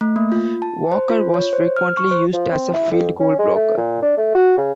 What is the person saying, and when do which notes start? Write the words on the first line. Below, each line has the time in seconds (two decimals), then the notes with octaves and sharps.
Walker was frequently used as a field goal blocker.
0.01 A3
0.16 A#3
0.32 F4
0.62 A5
0.92 C5
1.10 F4
1.34 C#5
1.53 C5
1.76 F6
1.97 C#6
2.11 C5
2.33 F3
2.52 C4
2.74 E4
2.91 F2
3.20 C#4
3.39 G#3
3.55 A3
3.77 A#2
4.02 D4
4.17 A3
4.35 F#4
4.57 C#3